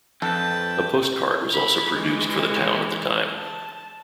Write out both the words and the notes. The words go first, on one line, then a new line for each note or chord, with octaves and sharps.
A postcard was also produced for the town at the time.
F2 A4 B4 G5 A5
E4 B5
E3 G#3
A5